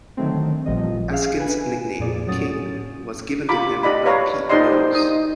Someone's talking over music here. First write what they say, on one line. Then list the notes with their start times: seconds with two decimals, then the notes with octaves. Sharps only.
Eskin's nickname, "King", was given to him by Pete Rose.
0.17 D3 D#3 F#3 A3 C4
0.66 A1 A#2 F3 G3 D#5
1.10 C#4 G#4 E5 F5
1.39 B4 G#5
1.99 F2 A#2 G#4 D5
2.27 A2 F#3 C#4 D#6 A6
3.49 F4 G4 A#5 B5 D6
3.83 G4 D5 D#5 B5
4.05 B4 C#5 D5 F5 A#5
4.49 D#4 G4 C5 D5 D#5 C6
4.72 C5
4.93 D#4 D#6